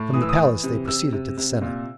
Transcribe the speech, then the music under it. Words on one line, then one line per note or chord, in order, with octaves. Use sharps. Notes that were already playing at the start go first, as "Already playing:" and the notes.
From the palace they proceeded to the senate.
Already playing: A2
E3 D#6
E6
D#6
E3
C3
C3 E6
C3
C3
A#2